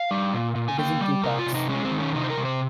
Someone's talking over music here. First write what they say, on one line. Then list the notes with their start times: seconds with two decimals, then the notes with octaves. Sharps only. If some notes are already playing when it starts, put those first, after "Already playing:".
It is in two parts.
Already playing: F5
0.11 G3
0.34 A#2
0.55 A#2
0.68 G#5
0.78 A#3 G5
1.01 G3
1.24 C3 A#4
1.39 F4
1.46 C3
1.54 D#4
1.69 G#3 C#4
1.85 C4
1.91 D#3
2.00 C#4
2.15 C3 D#4
2.23 C5
2.30 A#4
2.37 C3
2.45 C5